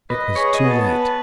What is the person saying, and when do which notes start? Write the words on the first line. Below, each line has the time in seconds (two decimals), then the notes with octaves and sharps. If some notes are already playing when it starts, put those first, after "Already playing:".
It was too late.
0.10 B4 D#5
0.36 G#4 C#5
0.54 D#5
0.63 B3
0.71 A5
0.89 B4